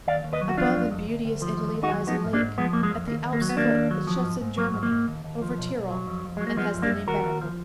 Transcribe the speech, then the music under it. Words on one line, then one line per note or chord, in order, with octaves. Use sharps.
Above in beauteous Italy lies a lake At the Alp's foot that shuts in Germany Over Tyrol, and has the name Benaco.
D#2 D5 F5
D#2
B4 D#5
F#3
F#4
F3 D4 F4
F2
F2
D2
D2
F3
D#2
D#2
D#4 F#4
F#3
F3 B3 D#4
G#2
A#3 D4
G#2
F3 G#3 B3
F2 A#3
G#3
F2
D#2 A#3
D#2
A#3
F#3
B3
D#2 A#3 D4
D#2
F#3
F3
G#2
G#2
F#3 A#3
G#2
A#3
G#2
D#2
D#2
F3
B1
B1
F#3
F2
F2
F#3 G#3
A#3
F3 G#3 B3
F#2
A#3 D4
F#2
D#2 F#4 A#4
D#2
F3